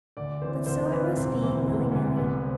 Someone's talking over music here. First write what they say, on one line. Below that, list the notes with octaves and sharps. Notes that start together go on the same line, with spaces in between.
But so it must be, willy-nilly.
D2 D5
C3 E3 C5
D2 C5
C5
C3 E3 B4
E1 C4
D2 C3 E3
E1
D2 C3 E3
C2 B3
C4